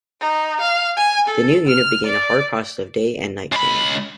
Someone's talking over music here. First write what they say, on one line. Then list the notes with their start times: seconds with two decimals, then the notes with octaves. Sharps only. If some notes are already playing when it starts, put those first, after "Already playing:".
The new unit began a hard process of day and night training.
0.21 D#4
0.61 F5
0.97 G#5
1.28 A4
1.67 F6
2.06 D5
3.52 C#2 B5